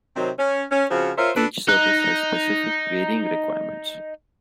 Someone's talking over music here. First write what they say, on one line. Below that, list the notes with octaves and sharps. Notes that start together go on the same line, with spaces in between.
Each service has specific varying requirements.
C3 D#3 F#3 C4
C#4
C#4
C#3 F3 C4 F#4
F4 A#4 C5 C#5 E5
D4 A4 B4
D#4 F#6